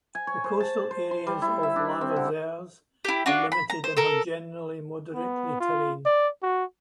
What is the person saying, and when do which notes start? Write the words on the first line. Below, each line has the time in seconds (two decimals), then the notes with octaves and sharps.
The coastal areas of Lavezares are limited and have generally moderately terrain.
0.15 G#5
0.27 C#5
0.44 C5
0.60 A5
0.91 C5
1.11 C6
1.27 G3
1.42 E4
1.63 E5
1.76 D4
2.01 C4
2.16 D3
3.05 E4 G4
3.26 D4 F4 F#4
3.52 B5
3.70 A#5
3.84 C5
3.97 A4 A#4
5.14 B3
5.60 F4
6.06 D5
6.43 F#4